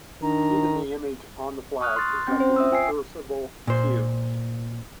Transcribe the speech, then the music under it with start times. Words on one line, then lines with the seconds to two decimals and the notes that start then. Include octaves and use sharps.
Even the image on the flag is of reversible cubes.
0.22 D#3 D4 A#5
1.81 C#6 D#6 F6 F#6
1.96 C6 A6
2.27 C4 C#4 G5 C6 G6
2.40 C5
2.56 E5 D#6 E6
2.72 F4 G5 G#5 E6 C7
3.67 A#2 C5